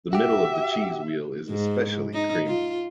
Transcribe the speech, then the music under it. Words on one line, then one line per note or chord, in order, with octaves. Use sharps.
The middle of the cheese wheel is especially creamy.
F#4 G4 E5
G#2
D#4
F4